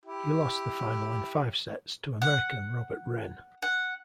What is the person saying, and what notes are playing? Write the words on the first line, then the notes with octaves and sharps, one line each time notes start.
He lost the final in five sets to American Robert Wrenn.
E4 G4
F#5
F#5